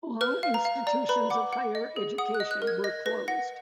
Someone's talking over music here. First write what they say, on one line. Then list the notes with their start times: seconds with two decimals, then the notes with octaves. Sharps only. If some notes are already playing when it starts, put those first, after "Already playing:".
All institutions of higher education were closed.
0.21 B4 F6
0.43 F5
0.54 A#5
0.65 F5
0.87 D5 A#5
1.09 B4 B5
1.30 F#5 D6
1.53 F#5
1.75 D#5
1.96 G#4
2.18 F#5 D#6
2.35 F#6
2.40 D#5
2.51 F#6
2.62 A#4
2.67 G#6
2.84 D#5 A#6
3.06 B4 A#6
3.28 F#5 A#6